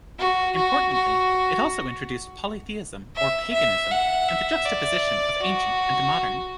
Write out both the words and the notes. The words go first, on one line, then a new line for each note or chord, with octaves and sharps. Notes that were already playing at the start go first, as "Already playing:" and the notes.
Importantly it also introduced Polytheism, or "paganism", and the juxtaposition of ancient and modern.
F#4
F#4
F#4
E5
E5
F#5
E5
D5
F#4